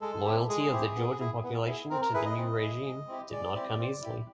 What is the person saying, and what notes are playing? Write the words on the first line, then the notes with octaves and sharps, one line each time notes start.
Loyalty of the Georgian population to the new regime did not come easily.
G#3 A4
C4 E4 G4
G#3 G#4
C4 E4 G4
B3
E4 G#4
B3
E4 G#4
C4 A#4
A#4
E4 G#4 B4
D#5
C4
E4 G#4
G#3
C4 E4 G4
G#3 D5
C4 E4 G4
C4
E4 G4